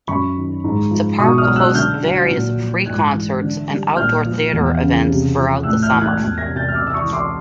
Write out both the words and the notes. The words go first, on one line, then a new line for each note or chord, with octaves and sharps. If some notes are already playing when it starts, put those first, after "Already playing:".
The park hosts various free concerts and outdoor theater events throughout the summer.
F#2 B5 C#6
D#3
G#2
F3
B2 C#6 D#6
D#6 F6
F#3
E6 F#6
D3 F6 G6
F#3
A#2
F3
G#2 F#6 G#6
E3
D3
G3
A#2 F6 G6
F3
E2
C#3
C3
F3
A2 E6 F#6
F6 G6
E3
F#6 G#6
E2 F#6 G#6
G#6 A#6
C3
G6 A6
F6
C3 D6 E6
E6
C#6 D#6
E3
C6 D6